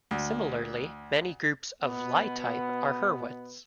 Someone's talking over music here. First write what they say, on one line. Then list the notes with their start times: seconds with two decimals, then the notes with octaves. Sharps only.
Similarly, many groups of Lie type are Hurwitz.
0.11 D2
1.83 B2 B3